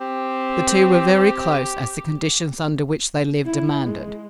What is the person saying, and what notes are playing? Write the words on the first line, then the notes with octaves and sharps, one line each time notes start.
The two were very close, as the conditions under which they lived demanded.
C4 G4
E4
G#3